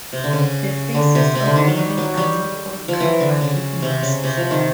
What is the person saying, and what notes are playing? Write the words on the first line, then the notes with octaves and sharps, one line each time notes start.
The faces of the men are not all covered with masks.
C3
D3
C#3
D3
C3
C3
D3
D#3
F#3
G3
F#3
G3
F3
E3
D3
C#3
C3
C#3
C3
F3
D#3